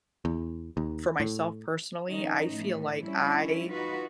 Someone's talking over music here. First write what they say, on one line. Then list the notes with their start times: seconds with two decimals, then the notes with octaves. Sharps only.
for myself personally, I feel like I
0.25 E2
0.77 D#2
1.20 A2
2.09 D#3 F3 C#4 D#4
2.51 A2 E3
3.01 F3 G3 C#4 D4 E4
3.67 D#4 F4 F#4 B4